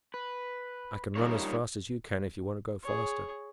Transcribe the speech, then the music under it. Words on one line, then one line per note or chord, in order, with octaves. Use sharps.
"I can run as fast as you can if you want to go faster."
B4
G3 D#4 F4 A#4 C#5
G#4 C#5